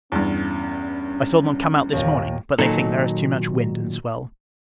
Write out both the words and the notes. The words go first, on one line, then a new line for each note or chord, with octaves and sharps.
I saw them come out this morning, but they think there is too much wind and swell.
E2 G2 C#4
D#2 A#2
A#2 D#3 F#3 D#4 A4